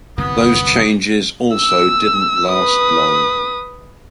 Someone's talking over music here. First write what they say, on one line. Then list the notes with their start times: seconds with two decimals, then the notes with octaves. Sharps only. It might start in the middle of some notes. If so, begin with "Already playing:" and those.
Those changes also didn't last long.
0.18 G1 C2 F#2 B3 D#6
1.56 E6
2.50 B4 D#6